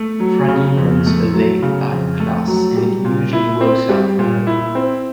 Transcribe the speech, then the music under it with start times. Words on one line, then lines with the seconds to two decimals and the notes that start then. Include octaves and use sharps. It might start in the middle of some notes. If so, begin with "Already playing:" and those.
Franny runs a laid back class and it usually works out for her.
Already playing: A3
0.20 F#3
0.48 C#3
0.77 F2
1.06 A3
1.34 F#3
1.62 C#3
1.91 F2
2.20 A3
2.47 F#3
2.77 G3
3.05 A#2
3.33 E4
3.61 C4
3.89 G3
4.19 A#2
4.47 E4
4.75 C4